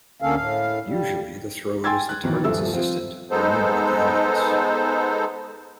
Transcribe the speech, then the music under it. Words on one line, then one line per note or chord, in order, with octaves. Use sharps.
Usually the thrower is the target's assistant or a member of the audience.
D2 D3 A#3 C#4 A4 F5
A2 F5
G3
G5 G#5 C6 E6 G#6 A6
F#6
D#3 E3 F#3 B3
D#1 A#1 G2 A4 E5 E6
F3 C4 F4
G#3 B3 D#4 A4 C5